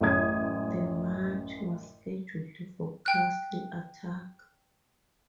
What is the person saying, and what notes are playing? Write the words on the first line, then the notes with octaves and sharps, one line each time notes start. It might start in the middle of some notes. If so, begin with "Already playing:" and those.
The match was scheduled for Castle Attack.
A1 F#2 C#4 D#6 G#6
G5 F#6